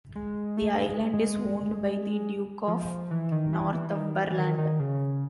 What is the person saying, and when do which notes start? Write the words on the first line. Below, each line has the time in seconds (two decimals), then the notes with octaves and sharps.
The island is owned by the Duke of Northumberland.
0.15 G#3
0.57 A3
0.86 G#3
1.13 G#3
2.68 F3
3.11 E3
3.32 D#3
3.53 E3
3.74 E3
3.90 E3
3.95 D#3
4.17 E3
4.30 E3
4.38 D#3
4.58 D#3
4.80 C#3